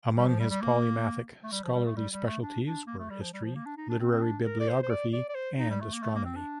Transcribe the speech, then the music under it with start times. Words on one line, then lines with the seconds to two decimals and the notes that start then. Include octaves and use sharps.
Among his polymathic scholarly specialties were history, literary bibliography, and astronomy.
0.17 G3
0.28 F3
0.40 G3
0.50 G3
0.62 A#3
1.44 A3
1.52 G3
1.64 F3
1.75 G3
1.86 A3
1.97 G3
2.13 G3
2.27 A3
2.42 D4
2.66 D4
2.87 A#3
2.99 A3
3.10 G3
3.22 F3
3.33 G3
3.44 F3
3.55 A#3
3.66 D4
3.77 D#4
3.90 D4
4.00 C4
4.12 C4
4.22 D4
4.46 A#4
4.60 D5
4.69 C5
4.83 C5
4.90 D5
5.13 D5
5.29 D5
5.35 C5
5.58 D#4
5.70 G3
5.81 A3
5.94 A#3
6.03 A3
6.15 A#3
6.25 C4
6.37 D4